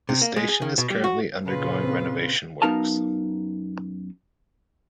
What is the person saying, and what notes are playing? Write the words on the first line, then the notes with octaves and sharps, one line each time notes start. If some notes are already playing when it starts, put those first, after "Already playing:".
The station is currently undergoing renovation works.
C3
A#3
G#3
G#4
D#3
B2
G3
F#4
A#2 C#3 F4 B4
C4
F#2 B3 D#4 A#4 F5 A5